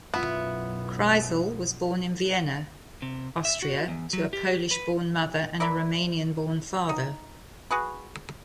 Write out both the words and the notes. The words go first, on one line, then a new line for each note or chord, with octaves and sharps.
Kreisel was born in Vienna, Austria to a Polish-born mother and a Romanian-born father.
B1 F#2 B3 E4 F4 F5
C3
E5
F#4
E2
F#3
G4
B4
A#4 D5 E5 B5
D#4
F#4 G#4 B4